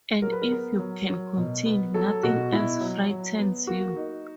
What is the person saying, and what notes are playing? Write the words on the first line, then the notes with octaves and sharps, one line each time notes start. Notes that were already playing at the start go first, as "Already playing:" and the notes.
And if you can continue, nothing else frightens you.
F#3 A#4
B4
A#4
B3
F#3
F#3
B2
B3
F#3 A4
B2 F#4
B2 E4
F#3
F#3
B3
A#3 F#4
D#4